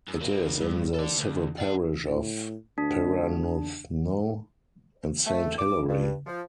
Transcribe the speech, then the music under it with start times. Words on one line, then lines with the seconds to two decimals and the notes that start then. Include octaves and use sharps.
It is in the civil parish of Perranuthnoe and Saint Hilary.
0.08 F#2
0.21 F#3 A#3
0.61 G2
0.94 A4 D5
1.18 D2
1.58 D5 F#5
2.10 A2
2.78 D2 D4
5.26 A3
5.58 D6
5.89 G2
6.26 F3